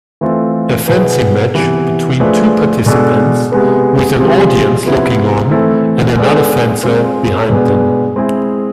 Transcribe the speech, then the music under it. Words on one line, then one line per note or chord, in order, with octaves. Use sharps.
A fencing match between two participants with an audience looking on and another fencer behind them.
E3 A3 C4 F4 A4
B2 B3 E4 G#4 B4
C3 E3 B3 E4
F3 A3 D4 G#4 B4
B2 G#3 D4 A4
C3 G#3 B3
C3 F3 G#3
C3 F3 B3 E4
E3 A3 C4 E4 A4
G#3 B3 D4 A4
G#3 C4 F4
B2 G#3 B3 D4 G#4
G#3 C4 E4 G#4